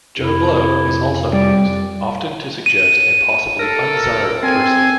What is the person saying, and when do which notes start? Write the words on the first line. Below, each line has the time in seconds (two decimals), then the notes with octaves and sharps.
Joe Blow is also used, often to suggest a possibly undesirable person.
0.18 F2 C3 E4
1.33 G3 D5
2.66 D#7
3.59 A4 A#4
4.43 C4 G#5